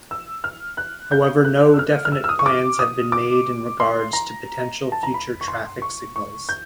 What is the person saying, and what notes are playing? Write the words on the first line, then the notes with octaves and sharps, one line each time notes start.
However, no definite plans have been made in regards to potential future traffic signals.
E6
F6
F#6
G6
F#6
E6
F6
F6
E6
E6
D#6
C#6
D6
D#6
D6
C6
A#5
A5
A#5
B5
C#6
C6
C#6
C#6
G6